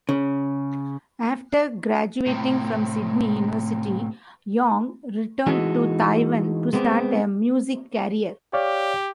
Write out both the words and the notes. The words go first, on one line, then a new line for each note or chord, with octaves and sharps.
After graduating from Sydney University, Yang returned to Taiwan to start a music career.
C#3
A2 C3
E3 G#3 D#4 F#4 A4
G#3 B3 C4 G4
G4 C#5 D5 F5